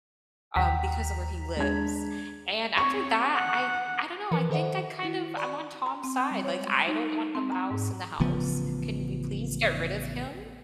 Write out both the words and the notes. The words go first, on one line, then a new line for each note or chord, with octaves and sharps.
um, because of where he lives, and after that, I I don't know, I think I kind of I'm on Tom's side. Like, I don't want a mouse in the house, can we please get rid of him?
D#2 F#5 G5 A#5 B6
G#3 D4 G#6
C4 C#5 C#6
F#5
E3 F3 A#4 B4 C#7
D#3 A4 C5 E5 F#5
E4 F#4
D5 B5 C#6
A#5
C4
G6
G3
C#5
G#3
D#4
D#4
C4
A#5
G#2
A1 C#3 F3 B3